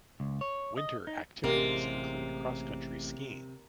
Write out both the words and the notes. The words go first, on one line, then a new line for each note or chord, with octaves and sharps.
Winter activities include cross-country skiing.
C#2
C#5
D#5
D#4
A1 A2 C3 G#3 A#3 G4 A#4